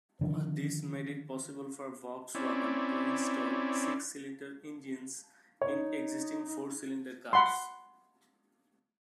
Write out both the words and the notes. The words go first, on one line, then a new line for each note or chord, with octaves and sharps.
This made it possible for Volkswagen to install six-cylinder engines in existing four-cylinder cars.
D3 D#3 F3
C4 C#4 E4 D5
D#4 C#5
F#5 B5 C6